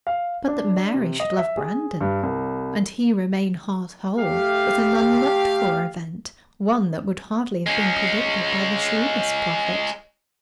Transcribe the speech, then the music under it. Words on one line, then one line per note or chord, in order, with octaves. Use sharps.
But that Mary should love Brandon, and he remain heart-whole, was an unlooked-for event--one that would hardly have been predicted by the shrewdest prophet.
F5
D4
C3
D#5
E5
G#4
G2
C2
A3 G4 F5
G#3 C#4